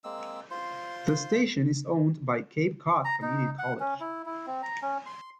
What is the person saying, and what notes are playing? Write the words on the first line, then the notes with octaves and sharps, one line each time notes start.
The station is owned by Cape Cod Community College.
G#3 A#3 C4 E6
F4 C5 C6
A#5
D#4
F#5
C#4
E4
E4
C4
A#5
C#4
C6